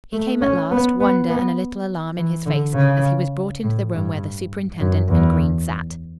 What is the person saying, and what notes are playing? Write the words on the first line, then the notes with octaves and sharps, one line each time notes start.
He came at last, wonder and a little alarm in his face as he was brought into the room where the superintendent and Green sat.
A3
C#4
B3
B3
B3
E3
D3
C#3
A2
G2
F#2
E2